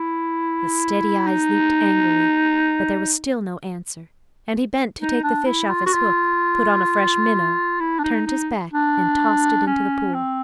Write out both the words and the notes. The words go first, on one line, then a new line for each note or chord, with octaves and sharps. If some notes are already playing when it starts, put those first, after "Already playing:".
The steady eyes leaped angrily, but there was still no answer, and he bent to take the fish off his hook, put on a fresh minnow, turned his back and tossed it into the pool.
Already playing: E4
D#4
D#4
D4
E4
F4
F#4
F4
E4
D4
D#4
D#4
D4
C#4
C4